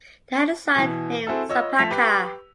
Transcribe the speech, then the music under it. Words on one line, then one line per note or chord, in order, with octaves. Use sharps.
They had a son named Sapaca.
B2 E3
C4 E4 F#4 G#4 A4
F4 C#5 D#5 E6
F3 A3 A5 B6 F7
G4 B4